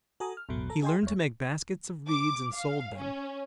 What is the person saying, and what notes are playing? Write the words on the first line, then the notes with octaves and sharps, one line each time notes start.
He learned to make baskets of reeds and sold them.
F#4 A4 G#5 A#5 D#6
F6
A1 E2 G#2 B2 F#3
A4 A#5
G#4 D#5 G5 G#5 C6
E2 C#5
D6
F5
C#4